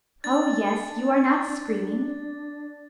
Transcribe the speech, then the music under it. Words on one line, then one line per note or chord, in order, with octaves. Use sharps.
Oh, yes; you are not screaming.
D4 A6